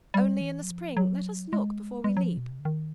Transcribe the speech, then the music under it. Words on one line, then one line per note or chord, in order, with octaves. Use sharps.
Only, in the spring, let us look before we leap.
G3
E3
F#3
F3
F#3
G#3
G#3
G3
F#3
F3
B2
C3
D3
D#3